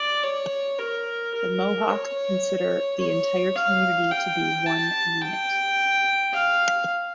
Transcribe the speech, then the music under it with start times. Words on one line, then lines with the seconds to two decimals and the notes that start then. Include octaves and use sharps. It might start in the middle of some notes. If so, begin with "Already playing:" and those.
The Mohawk consider the entire community to be one unit.
Already playing: D5
0.23 C#5
0.79 A#4
1.34 A#4
1.90 C#5
3.00 C#5
3.55 F5
4.11 G5
4.66 A5
5.21 G5
6.32 F5